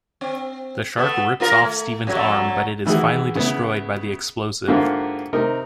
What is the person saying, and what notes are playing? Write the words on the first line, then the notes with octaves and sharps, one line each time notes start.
The shark rips off Steven's arm but it is finally destroyed by the explosive.
C4
A3 B3
A#3 F4 A#4
A3
F2 F#3 A3
D#3 E3 E4 F#4 G#4
C#3 B3 E4
G#2 D3 A#3 E4 F4 G4
C3 D#4 A#4